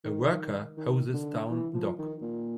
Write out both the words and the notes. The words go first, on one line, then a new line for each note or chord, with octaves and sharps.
A worker hoses down dock.
D#3
D#3
D3
E3
F3
D#3
A#2